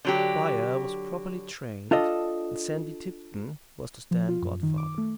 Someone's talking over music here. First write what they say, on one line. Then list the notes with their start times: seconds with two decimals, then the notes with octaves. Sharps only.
The choir was properly trained, and Sandy Tipton was to stand godfather.
0.05 D3 F#3 G4
1.91 D4 F4 A4 D#5
4.11 F3
4.29 F4
4.42 F#2
4.63 D#3
4.78 D6
4.98 A3